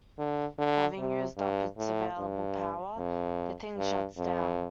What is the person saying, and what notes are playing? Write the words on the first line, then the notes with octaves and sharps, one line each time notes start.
Having used up its available power, The Thing shuts down.
D3
D3
C3
G2
A2
G2
F2
G2
F2